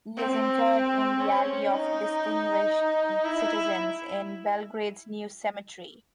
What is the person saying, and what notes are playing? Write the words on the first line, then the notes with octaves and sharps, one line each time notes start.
He is interred in the Alley of Distinguished Citizens in Belgrade's New Cemetery.
C4
C#4
D#4
E4